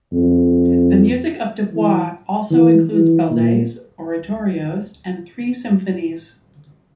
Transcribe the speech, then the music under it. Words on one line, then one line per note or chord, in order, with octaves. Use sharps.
The music of Dubois also includes ballets, oratorios and three symphonies.
F2
E3
E3
E3
A#2